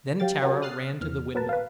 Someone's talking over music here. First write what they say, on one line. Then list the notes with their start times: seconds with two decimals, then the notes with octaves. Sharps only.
Then Tara ran to the window.
0.20 F#3 G4 F5 G5 A6
0.42 C#4 F#4 G4 A#4
0.62 D#6 F6 F#6 A6 C7
1.01 E2 A#2 E3 F6
1.35 F#3 B3 A#4 B4 A5
1.49 B4 F5